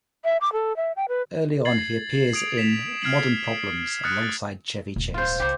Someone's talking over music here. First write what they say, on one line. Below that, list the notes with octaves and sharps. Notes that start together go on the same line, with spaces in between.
Early on, he appeared in "Modern Problems" alongside Chevy Chase.
E5
D6
A4
E5
G5
B4
G#6 A6 C7 F#7
D#6 G#6 D7 F7
B6 E7 F7
F6 G#6 C7 D7 E7 F#7
D#6 F6 F#6 A6 C#7
A6
D#1 G#1
F4 C5
C#2 G4 C5